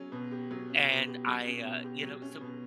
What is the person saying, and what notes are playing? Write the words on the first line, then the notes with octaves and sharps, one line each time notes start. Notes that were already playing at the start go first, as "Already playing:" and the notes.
and I, uh, you know, so
Already playing: F#3 C#4
B2
G4
F#3
C#4
B2
G4
F#3
C#4
B2
G4
F#3
C#4
B2